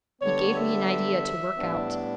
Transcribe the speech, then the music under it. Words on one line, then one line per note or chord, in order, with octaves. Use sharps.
He gave me an idea to work out.
D3 G3 B3 C#5
E5
A2 G3 B3 D4